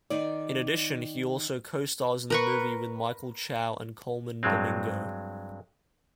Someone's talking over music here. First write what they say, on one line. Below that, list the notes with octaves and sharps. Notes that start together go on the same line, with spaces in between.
In addition he also co-stars in the movie with Michael Chow and Colman Domingo.
D#3 D#4 D5
A#4 B4 C#6
G2 F#3 G#3 C4